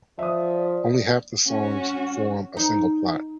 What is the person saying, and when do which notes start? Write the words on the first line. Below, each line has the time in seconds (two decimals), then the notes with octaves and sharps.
Only half the songs form a single plot.
0.19 F3 D5 E5 D#6
1.47 C#4 F#4
2.57 D#4